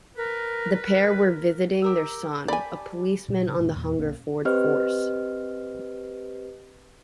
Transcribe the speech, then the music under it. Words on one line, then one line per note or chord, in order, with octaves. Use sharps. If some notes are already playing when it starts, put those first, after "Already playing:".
The pair were visiting their son, a policeman on the Hungerford force.
A#4 B4
A#4
G4 A#4 E6
G4 D5 G#5 A5 B5
A#2 F#3
C#3 D4
D2 G2 A#2
E2 A#2
B1 A#3 C#4
C4 G4 B4 C5 D#5 F6